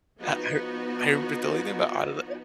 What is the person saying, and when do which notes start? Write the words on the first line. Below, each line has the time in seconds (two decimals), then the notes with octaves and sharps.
uh, I r I remember the only thing about Out of the
0.19 F3 B3 D#4 F#4